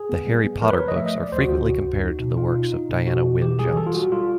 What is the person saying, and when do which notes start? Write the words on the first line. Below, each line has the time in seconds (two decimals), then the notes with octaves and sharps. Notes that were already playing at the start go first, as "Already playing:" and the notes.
The "Harry Potter" books are frequently compared to the works of Diana Wynne Jones.
Already playing: G#4
0.09 B3
0.27 G3
0.44 B3
0.62 F3 A#4
0.71 B4
0.79 F3 C#5
0.88 D#5
0.96 A3 E5
1.06 D#5
1.15 F3
1.23 D5
1.32 D2 C5
1.40 F#4
1.49 D2 F4
1.58 F#4
1.67 C3
1.85 D2
2.02 D#4
2.20 B2
2.37 D#4 F4
2.54 D#4
2.72 D#4
2.90 B2
3.07 B2 F#4
3.24 B2
3.42 E3 G4
3.59 G3 G#4
3.77 G3 A4
3.87 F4
3.95 G3 F#4
4.12 G3 F4